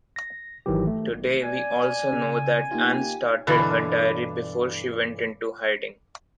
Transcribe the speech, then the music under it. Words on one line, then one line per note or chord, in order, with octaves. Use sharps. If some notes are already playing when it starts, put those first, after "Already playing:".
Today we also know that Anne started her diary before she went into hiding.
A#6
G#1 D#3 E3 F#3 G4
A3
D5 G#5
C#3
A#3 D#4 F4 G4
G2 B2 D3 E3